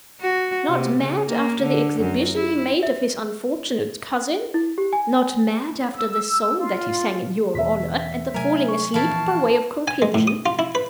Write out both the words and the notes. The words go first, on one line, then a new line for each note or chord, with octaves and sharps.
Not mad, after the exhibition he made of his unfortunate cousin? Not mad, after the song that he sang in your honor, and the falling asleep by way of conclusion?
F#4
C3
C#3
A#3
D3
F#2
E4
E5
E4
G4
G#5
E6
F4
E2 B2 E3 E5 B6
C3 F#3 A3 A#4 G#5
C#6
A#2 E3 F3 E4 F5 A5
G#5
G#3
A2
D#6
F4
E4
B4